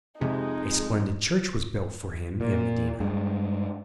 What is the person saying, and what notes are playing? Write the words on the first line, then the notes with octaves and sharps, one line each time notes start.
A splendid church was built for him in Medina.
F2 C3 G#3 D#4
A#2
G2 G#3